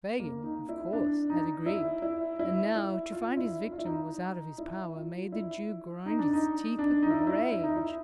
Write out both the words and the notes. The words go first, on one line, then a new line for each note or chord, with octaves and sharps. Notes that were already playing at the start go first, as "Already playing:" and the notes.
Fagin, of course, had agreed, and now, to find his victim was out of his power made the Jew grind his teeth with rage.
A#3
D#4
E4
D4
D#4
E4
E4
E4
E4
F4
E4
E4
F4
E4
D#4
E4
F4
E4
D#4
D4
D#4
D4
D#4
E4
D#4
E4
E4
D#4
E4